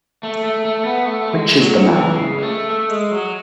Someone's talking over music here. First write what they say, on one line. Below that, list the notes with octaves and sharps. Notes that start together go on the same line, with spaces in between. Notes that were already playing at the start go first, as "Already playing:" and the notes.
Which is the Man?
A3
A3
A3
B3
A3
G#3
F#3
E3
C#3
G#3
A3
A3
G#3
F#3